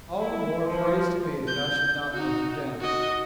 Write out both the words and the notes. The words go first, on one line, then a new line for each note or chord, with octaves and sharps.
"All the more praise to me that I should not run him down."
E4
F3
G6
D#4 F#4
F#4 D#5